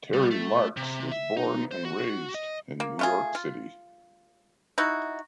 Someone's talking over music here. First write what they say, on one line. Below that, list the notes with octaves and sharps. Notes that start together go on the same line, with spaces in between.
Terry Marks was born and raised in New York City.
G3
A3
C3
E5
D#4
C5
F#4
D#5
A#3
A3 F4 G#4
F4
D#4 E4 F#4